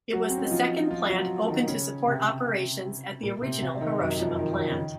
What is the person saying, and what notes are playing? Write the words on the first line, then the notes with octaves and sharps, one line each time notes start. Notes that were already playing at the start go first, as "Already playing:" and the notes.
It was the second plant opened to support operations at the original Hiroshima Plant.
F#3 F#4
C4
C#4
D#4
F3 F4
F3 F4
F#3 F#4
D#3 D#4
C#3 C#4
C3 C4
A#2 A#3
C3 C4
C3 C4
D#3 D#4
F#2 F#3
F2 F3
D#3
D#3
C#3
D#3